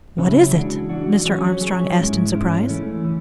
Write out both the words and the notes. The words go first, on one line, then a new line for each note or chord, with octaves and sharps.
"What is it?" Mr. Armstrong asked in surprise.
C#3 F#3 C#4 E4
E3 G#3 D4 F#4
E3 G#3 D4 F#4
F#3 C#4 G#4 C#5
F#3 C#4 G#4 C#5
G#2 G#3 C#4 E4
G#2 G#3 C#4 E4
E3 A3 C#4
E3